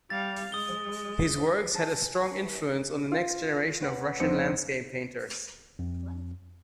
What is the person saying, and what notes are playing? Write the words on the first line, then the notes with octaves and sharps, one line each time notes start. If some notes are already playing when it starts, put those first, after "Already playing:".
His works had a strong influence on the next generation of Russian landscape painters.
G3 F5 A6
G#3 D#6 G7
G#5 A5
F4
C#4 B4 F#5
F1 F2 C4 D#4 C#7
F2